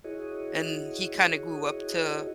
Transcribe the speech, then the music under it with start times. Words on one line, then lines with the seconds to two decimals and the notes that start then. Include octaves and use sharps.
and he kinda grew up to,
0.04 E4 F#4 G#4 C#5 D#5